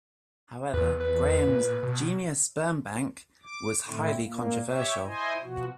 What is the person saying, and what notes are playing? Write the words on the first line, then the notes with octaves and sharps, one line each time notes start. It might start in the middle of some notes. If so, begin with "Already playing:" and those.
However, Graham's "genius sperm bank" was highly controversial.
E2 B4
B4
A#2
B2
D6
A2 D3 A3 C4 E4
A#2 A#3
G4 C#5 E5
E4 C5 D#5 G#5
B2 F3 F#4